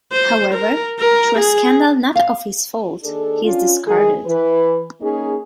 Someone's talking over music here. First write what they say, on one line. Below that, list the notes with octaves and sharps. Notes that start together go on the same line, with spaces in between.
However, through a scandal not of his fault, he is discarded.
C5
A#4
A#4
G#4
F5
D#2 D4 G#4 A4
C#4 D4 F4
D#3 E3 G#3 G#4
E3 B4
A#3 C#4 D#4 G#4